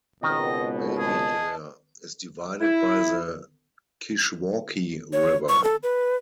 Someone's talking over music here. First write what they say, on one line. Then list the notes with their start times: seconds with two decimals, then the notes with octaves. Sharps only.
Belvidere is divided by the Kishwaukee River.
0.23 G#1 C#2 B2 D#3 D#5
0.98 G#4 D#5 A5
2.61 E4
5.13 C#5
5.49 C#6
5.64 A4
5.83 B4